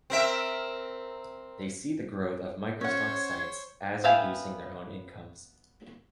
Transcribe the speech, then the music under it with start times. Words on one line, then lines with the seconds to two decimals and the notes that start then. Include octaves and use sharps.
They see the growth of microstock sites as reducing their own incomes.
0.10 C4 A#4 E5
2.81 C#4 C5 C#5 F#5 G#6
4.04 B3 E5 F5 G5 G#5